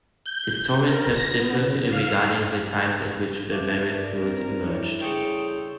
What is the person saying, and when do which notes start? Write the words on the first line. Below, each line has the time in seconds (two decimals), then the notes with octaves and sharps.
Historians have differed regarding the times at which the various schools emerged.
0.26 G6
0.89 A#4
1.14 A#6
1.40 B3
1.60 C#3
1.93 F5
3.51 C#4 D4 E5 F5
3.87 A#4 B4 D5
4.19 C4
4.61 G3 D4 E4 C#5
5.01 C#3 A4 C5 G5 C#6 D#6